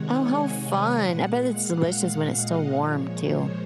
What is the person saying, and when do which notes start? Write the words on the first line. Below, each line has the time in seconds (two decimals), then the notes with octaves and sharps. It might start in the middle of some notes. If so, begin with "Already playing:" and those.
Oh, how fun. I bet it's delicious when it's still warm too.
Already playing: C3 D#3 G#3 C#5 F#5
0.10 G#5
0.54 F#5
0.98 A#2 G#3 F#5
1.42 F5
1.84 F5
2.28 D#5
2.72 A#2 F3 G#3 C#5
3.16 C5